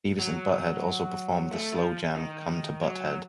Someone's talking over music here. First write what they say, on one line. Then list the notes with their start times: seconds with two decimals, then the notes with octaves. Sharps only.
Beavis and Butt-Head also performed the slow jam "Come to Butt-Head".
0.19 F#3
1.51 A3
1.72 F3
2.16 D#3
2.82 F#3